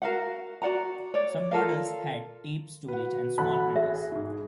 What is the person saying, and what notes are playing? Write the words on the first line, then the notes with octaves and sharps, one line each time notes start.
Some models had tape storage and small printers.
F#4 A#4 F5 F#5
F#4 D5 F#5 A#5
C#5 D5
F4 A4 A#4 F5
F#4 B4 F#5
A1 A4 F#5 B5 F#6
G#4 E5
G#2 G#3